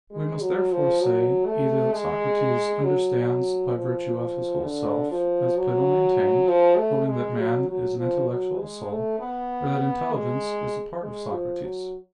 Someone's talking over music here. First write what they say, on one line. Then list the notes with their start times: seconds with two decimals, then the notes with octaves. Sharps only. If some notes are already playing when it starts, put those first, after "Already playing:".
We must therefore say either that Socrates understands by virtue of his whole self, as Plato maintained, holding that man is an intellectual soul; or that intelligence is a part of Socrates.
0.11 G#3
0.40 F#3
0.71 F3
1.00 F#3
1.46 A3
1.93 G#3
2.83 F#3
3.74 F3
4.65 D3
5.11 F3
5.56 F#3
6.48 F3
6.77 A3
7.07 G#3
7.38 F#3
7.69 F#3
7.98 F3
8.29 F#3
8.60 G#3
8.90 A3
9.20 B3
10.12 G#3
11.02 G#3
11.32 F3
11.63 F#3